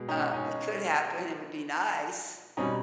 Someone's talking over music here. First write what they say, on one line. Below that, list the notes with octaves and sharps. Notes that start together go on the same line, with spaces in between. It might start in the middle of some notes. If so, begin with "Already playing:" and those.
Um, it could happen, it would be nice.
Already playing: B2 G#3 B3
C#4 D#4
C#4 D#4
B2 G3 C4 C#4 D#4